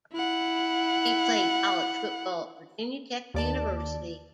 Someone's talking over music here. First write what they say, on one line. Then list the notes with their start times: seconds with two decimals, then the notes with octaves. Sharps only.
He played college football at Virginia Tech University.
0.13 E4 F#5
3.34 D#2 D5 A5